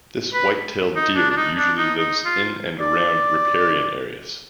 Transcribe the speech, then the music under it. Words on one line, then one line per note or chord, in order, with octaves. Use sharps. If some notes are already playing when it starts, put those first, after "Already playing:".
This white-tailed deer usually lives in and around riparian areas.
B4
D#4
D4
D4
D#4
D4
D#4
D#4
F4
D5